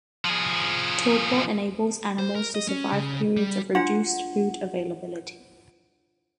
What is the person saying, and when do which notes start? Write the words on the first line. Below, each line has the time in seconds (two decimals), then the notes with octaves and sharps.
Torpor enables animals to survive periods of reduced food availability.
0.25 F3 G#4
2.19 C5
2.35 A#4
2.55 D#5
2.68 C#4
2.92 C#3
3.37 G3
3.75 D4 F4 F#5 C6